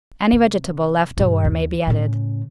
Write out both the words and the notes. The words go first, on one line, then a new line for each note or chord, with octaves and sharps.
Any vegetable left over may be added.
C3
G2 B2
D#2
A2 C#3